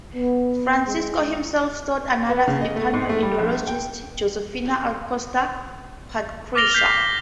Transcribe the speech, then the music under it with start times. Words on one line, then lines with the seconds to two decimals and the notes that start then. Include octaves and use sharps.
Francisco himself taught another Filipino Indologist, Josephine Acosta Pasricha.
0.15 B3
0.87 G#3
2.29 B3
2.48 C#3
2.61 D#5
2.76 A3
2.93 G#2
3.09 A3
3.22 G3
3.38 A#1
3.67 G5
6.55 D6 F6 A6 A#6 F7 G7
6.74 G6 B6 C7